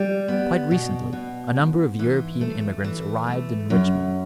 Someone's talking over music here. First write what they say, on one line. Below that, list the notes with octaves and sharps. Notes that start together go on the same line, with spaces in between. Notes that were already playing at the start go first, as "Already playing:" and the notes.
Quite recently a number of European emigrants arrived in Richmond.
Already playing: G3
B3
B2
B2
G#2
E3
A3
E3
A3
F#2